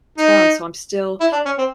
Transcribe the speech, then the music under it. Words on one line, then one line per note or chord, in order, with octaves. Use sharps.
respond, so I'm still,
D#4
E4
D4
C#4
C4